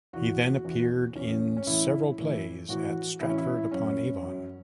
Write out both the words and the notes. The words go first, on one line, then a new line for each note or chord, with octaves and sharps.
He then appeared in several plays at Stratford-upon-Avon.
E2 E3 F#4
E2 E3
E2 E3 C#4
C#4
A2 E3 E4
A2 E3
A2 E3 F#4
A2 E3 E4
C#4
E4
F#2 F#3 C#4
F#2 F#3